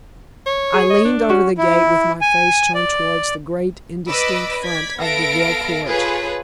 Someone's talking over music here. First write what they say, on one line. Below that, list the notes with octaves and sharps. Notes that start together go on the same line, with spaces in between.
I leaned over the gate with my face turned towards the great indistinct front of Deville Court.
C#5
G#4
D#5
D4
C#4 F#4
E4
G#5
D5
B4 D5 D#5 B5 D6 E6
D5 G#6 B6
B3 A4 E5 F5 A#6 D7
F4 G#4 A4 B4 C#5